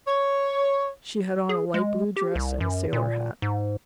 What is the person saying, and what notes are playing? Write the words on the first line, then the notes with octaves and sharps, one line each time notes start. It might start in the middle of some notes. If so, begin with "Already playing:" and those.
"She had on a light-blue dress and a sailor hat."
C#5
G#4
G#3
G4
C2
F#2
A#2
G#2